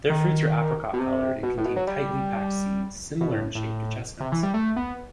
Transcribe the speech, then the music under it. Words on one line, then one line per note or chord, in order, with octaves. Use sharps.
Their fruits are apricot-coloured and contain tightly packed seeds, similar in shape to chestnuts.
D#3
B2
C3
B2
A2
B2
F#3
G3
B2
A2
A2
C3
E3
G3
A3
B3